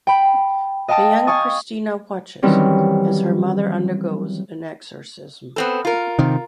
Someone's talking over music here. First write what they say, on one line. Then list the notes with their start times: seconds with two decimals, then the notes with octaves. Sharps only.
A young Cristina watches as her mother undergoes an exorcism.
0.07 G5 B5
0.88 D#5 F5 G5 A5 D#6 A#6
1.27 F5 G#5 C#6 D#6 A6
2.43 D#3 E3 F#3 G3 C4 C#4
5.56 B3 C4 A4
5.85 F4 A#4
6.19 C3 D#3